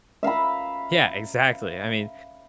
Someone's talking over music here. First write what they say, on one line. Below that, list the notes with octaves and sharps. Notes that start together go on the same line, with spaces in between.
Yeah, exactly, I mean,
E5 F5 A#5 B5